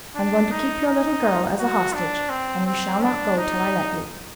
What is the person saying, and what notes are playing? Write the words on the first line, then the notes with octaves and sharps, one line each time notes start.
I'm going to keep your little girl as a hostage, and you shall not go till I let you.
D4
D#4
D#4
F#4
D4
C4
C4
D4
D#4